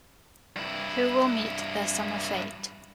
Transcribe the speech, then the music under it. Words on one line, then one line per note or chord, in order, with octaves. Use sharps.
Who will meet their summer fate?
G2 E4